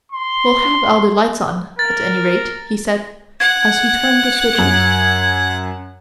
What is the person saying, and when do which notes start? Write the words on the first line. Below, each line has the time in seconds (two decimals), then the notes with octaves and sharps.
"We'll have all the lights on at any rate," he said, as he turned the switches.
0.12 C6
1.79 A#4 A6
3.40 F#5 G#6
4.58 F#2